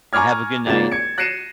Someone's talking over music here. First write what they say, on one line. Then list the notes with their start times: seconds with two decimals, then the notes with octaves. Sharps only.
And have a good night.
0.13 G#5 A#5 C#6 D6 F6 G#6
0.67 G#1 C#3 A#3 F4 A6 E7
0.92 G#6 C#7
1.18 F#6 A#6 C7 C#7 D#7 E7